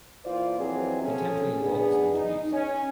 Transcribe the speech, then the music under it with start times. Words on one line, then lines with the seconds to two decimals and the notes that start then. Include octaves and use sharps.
Contemporary and waltz are introduced.
0.25 A#2 E3 F4 C5 D5
0.59 F2 E3 F#3 C4 G#4
1.03 C4 C#4 G#4 A4
1.61 B3 D4 G#4
2.14 D#4
2.52 C#4